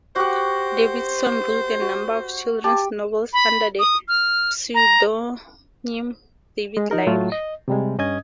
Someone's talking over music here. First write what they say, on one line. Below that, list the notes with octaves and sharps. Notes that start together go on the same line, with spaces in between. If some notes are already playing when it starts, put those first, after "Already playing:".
Davidson wrote a number of children's novels under the pseudonym David Line.
F#4 G4 C5 F#5
F#4
G4 A5
B5
D#6
F6
A#5
G#3
F3 D#4 A#4
A2 F#3 A3 F4
D#5
C3 G3 G#3
G2 C#4 D#5 D#6 G#6